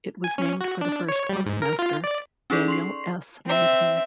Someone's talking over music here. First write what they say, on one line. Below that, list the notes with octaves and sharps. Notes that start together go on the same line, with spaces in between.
It was named for the first postmaster, Daniel S. Mason.
G#5
C#4
F#4
D4
C#5
G3
G#2
A#4
F4
D5
C#4 D#4 G#4 A4 D5
C6 C#6 C7
C4 E5